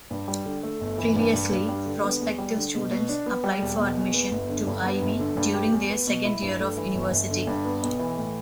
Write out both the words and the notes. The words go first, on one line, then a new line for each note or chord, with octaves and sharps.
Previously, prospective students applied for admission to Ivey during their second year of university.
G2
G3
D3
A3
G1
E3
G2
G2
G2
G3
D3
B3
E2
G3
D3
B2
B2
D4
B3
G3
E1
B2
E2
B3
G1
D3
G2
B3
G1
D3
G2
G4
E2
B3
B2
E4
G2
A3
E3
G1
G1
D3
G2
B3
B1
E3
A2